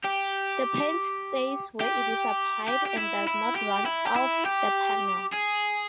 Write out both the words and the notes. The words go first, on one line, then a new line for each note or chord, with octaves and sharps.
The paint stays where it is applied and does not run off the panel.
G4
G4
G4
G4
E4
E4
G4
E4
G4
E4
G4
G#4